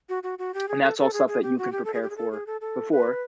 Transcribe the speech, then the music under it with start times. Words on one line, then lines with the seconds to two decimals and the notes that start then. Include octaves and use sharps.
and that's all stuff that you can prepare for before,
0.09 F#4
0.23 F#4
0.39 F#4
0.54 G4
0.69 G#4
0.83 A4
0.98 A4
1.13 G#4
1.28 G#4
1.43 G4
1.58 F#4
1.72 G4
1.85 A4
1.94 G#4
2.02 G4
2.10 G#4
2.17 A4
2.32 G#4
2.46 A4
2.61 A4
2.91 B4